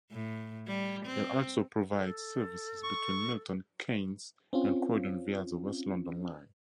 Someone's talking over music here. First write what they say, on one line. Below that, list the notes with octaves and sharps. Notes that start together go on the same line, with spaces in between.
It also provides services between Milton Keynes and Croydon via the West London Line.
A2
G3
C4
A4
C#6
C4 C#4 F4